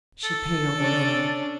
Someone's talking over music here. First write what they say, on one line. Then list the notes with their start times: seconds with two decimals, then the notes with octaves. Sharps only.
She paled a little.
0.24 A4
0.77 C#4 D4